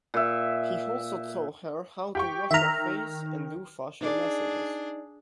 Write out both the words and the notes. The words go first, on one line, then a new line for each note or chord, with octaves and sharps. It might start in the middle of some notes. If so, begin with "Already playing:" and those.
He also taught her how to wash her face and do facial massages.
A#2 E5
G4 G5 C#6
D#3 E5 A#5 F6
D4 D#4 G#4 D5